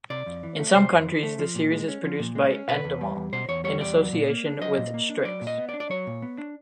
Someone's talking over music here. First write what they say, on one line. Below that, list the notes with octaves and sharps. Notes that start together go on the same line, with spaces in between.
In some countries the series is produced by Endemol, in association with Strix.
C3 D5
F2
E3
A3
C3 C5
F2
E3
A3
F3
A#2
G#3
C#4
F3
A#2
G#3
C#4
B2 B4
E2
G3
E2
B2 C5
E2 C#5
G3 C#5
E2 D5
F#3
A#2
A#3
D4
F#3 D#5
A#2
A#3
D4
F#3 D5
A#2
D#5
B3
D5
D4
D5
F#3 C#5
A#2
B3
D4